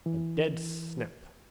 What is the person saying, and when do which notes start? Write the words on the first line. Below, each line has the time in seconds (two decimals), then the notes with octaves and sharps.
A dead snip.
0.06 E3